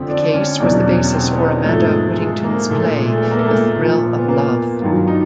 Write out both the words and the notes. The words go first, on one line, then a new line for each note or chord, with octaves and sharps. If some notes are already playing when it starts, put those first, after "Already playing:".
The case was the basis for Amanda Whittington's play "The Thrill of Love".
Already playing: F2 D3 F3 C4
D4
C#4
E2 B2 F#3 D4
C#4
C4
B3
G#2 F3 A3
G#3
G#3
A#3
A#2 F3 A3
G#3
A3
B3
A#3
A3
A#3
A#2 F3
B3
A#3
G2 D#3 F#3 F4
D#4